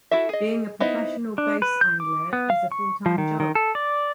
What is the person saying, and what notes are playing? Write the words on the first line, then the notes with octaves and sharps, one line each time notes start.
Being a professional bass angler is a full-time job.
E4 F#4 A4 E5
G#4 D#5
B3 D#4 E4 C5 D#5
D4
B4
G6
D6
B3
F5
C#6
F3
D#3
D#3
A4
D5